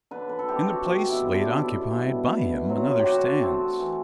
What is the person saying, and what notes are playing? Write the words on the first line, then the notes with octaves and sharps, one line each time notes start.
In the place late occupied by him another stands.
D3 B4
B4
A4
A3 C4 G4
F#4
B2 G4
E4
A3 C4
D4
B2 E4
G3 B3
B2
F#3 C4
G4
D3 F#4
A3 C4
E3